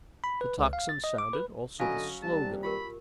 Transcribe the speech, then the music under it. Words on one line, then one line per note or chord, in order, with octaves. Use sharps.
The tocsin sounded, also the slogan.
B5
B4
C#2
F5
A6
D#5
D6
B4
D3 F#3 C#4 D#5 F5 G#5 B5
D#2 C3 G3 A5
F4 G4 A#4 B5